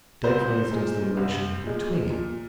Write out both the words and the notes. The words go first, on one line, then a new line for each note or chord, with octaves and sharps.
Take, for instance, the relation 'between'.
C2 C5
A#2 G#3
C2
A#2 G#3
A#2